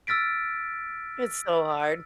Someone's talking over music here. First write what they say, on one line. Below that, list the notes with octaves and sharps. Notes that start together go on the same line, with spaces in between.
It's so hard.
E6 F6 A6 B6 D7